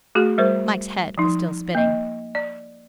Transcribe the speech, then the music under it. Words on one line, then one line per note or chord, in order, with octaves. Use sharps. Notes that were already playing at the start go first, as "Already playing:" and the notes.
Mike's head was still spinning.
A3 F#4 G#4
G3 A#4 C5
F3 D#4
A#3 D#5
D5